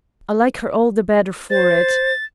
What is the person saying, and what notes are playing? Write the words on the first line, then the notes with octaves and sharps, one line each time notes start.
I like her all the better for it.
C5 A6